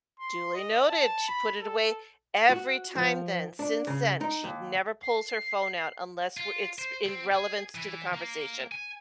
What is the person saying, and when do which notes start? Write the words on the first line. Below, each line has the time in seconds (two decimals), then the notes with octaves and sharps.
"Duly noted." She put it away. Every time then, since then, she never pulls her phone out unless we're it's in relevance to the conversation,
0.20 C6
0.54 D#5
0.89 A5
1.28 B5
1.60 A4
2.49 F#4
2.95 F3
3.59 D4
3.87 C#3
4.21 D#4
4.44 D#2
5.03 C7
6.37 F4
6.79 C5
7.06 C4
7.32 G#4
7.75 E3
8.14 A#3
8.72 G#5